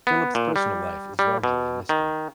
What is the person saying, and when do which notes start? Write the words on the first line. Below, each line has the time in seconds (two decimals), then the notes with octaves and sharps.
Philip's personal life is largely a mystery.
0.07 B3
0.35 A#2
0.56 G3
1.19 G3
1.44 B2
1.89 D#3